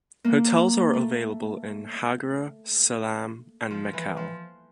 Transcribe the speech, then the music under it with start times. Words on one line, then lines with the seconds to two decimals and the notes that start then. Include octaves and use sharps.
Hotels are available in Hagere Selam and Mekelle.
0.24 A#3
0.93 A3
3.71 F3
3.93 E3
4.17 F3